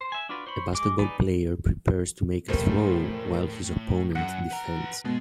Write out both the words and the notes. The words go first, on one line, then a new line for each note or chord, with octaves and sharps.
A basketball player prepares to make a throw while his opponent defends.
C5
E5 G#5
D4 F4 F#4 B4 D5
C5 C#5 B5
G#3 D6
D#4 B4 D5 G#5
F1 A2 A#3 C5
F#2 F#5
B4 A#5
B2 G#3